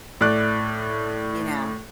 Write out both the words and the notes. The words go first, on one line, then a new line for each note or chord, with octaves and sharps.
you know?
A2 D5 F#6